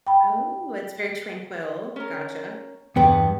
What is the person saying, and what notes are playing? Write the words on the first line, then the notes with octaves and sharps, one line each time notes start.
Oh, it's very tranquil, gotcha.
G5 B5
C#4 A#4
E2 G2 B3 G5 A5